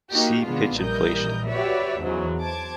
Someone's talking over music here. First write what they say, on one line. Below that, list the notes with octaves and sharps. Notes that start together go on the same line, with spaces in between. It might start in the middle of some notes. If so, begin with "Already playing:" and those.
See Pitch inflation.
A#3 D#4 F#4 G4
C3 D#3 G#3 B3 D4 F4
A#1 E3 G3 A#4 D#5 G6
F#4 G4 B4 C#5 D5 E5
E2 G#2 C#3 E3 F#3
C5 A5 D6 G#6